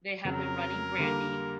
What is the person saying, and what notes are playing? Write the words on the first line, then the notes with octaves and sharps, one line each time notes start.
They had been running brandy.
F2 C#3 F#3 A#4
D3 G3 A#3